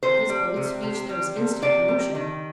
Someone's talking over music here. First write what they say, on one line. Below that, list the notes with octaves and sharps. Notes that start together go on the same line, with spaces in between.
At this bold speech there was instant commotion.
C3 C5
G3
C3
C3
G3
C3
C3 D5
G3
D#3